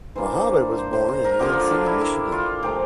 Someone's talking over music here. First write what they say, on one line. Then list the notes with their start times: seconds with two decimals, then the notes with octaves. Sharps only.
Muhammad was born in Lansing, Michigan.
0.16 E3 A#3 D4 C5
0.78 C5
0.93 C5
1.09 C5
1.24 A#4
1.39 D3 F3 A#3 G4
1.49 F4
1.60 F4
1.71 D4
1.86 E4
2.01 E4
2.32 F4
2.63 A#2 F3 A3 G4